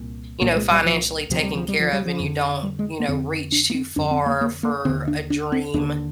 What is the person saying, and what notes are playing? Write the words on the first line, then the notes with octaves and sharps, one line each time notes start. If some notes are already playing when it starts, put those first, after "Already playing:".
you know, financially taken care of and you don't, you know, reach too far for a dream,
Already playing: C2 A#2
C2 A#2 A#3
G#3
G3
F3
D2 C3 F3
G3
F3
G3
F3
G3
F3
F2 D3
G3
G#3
A#3
F2 D3 C4
D4
A#3
C4
F2 D3 D4
C4
A#3
A#3
A#3
D#2 D3 C4
D4
D4
C4
D#2 D3 D4